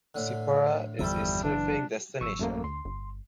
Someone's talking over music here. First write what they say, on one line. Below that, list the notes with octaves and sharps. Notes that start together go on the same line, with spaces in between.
Sipora is a surfing destination.
A2 D3
G1 E2 F3 G3 A4 E5
F#1 E3 D4
A1 C#6 E6
F#2 A3 A#3
D2 C6
G1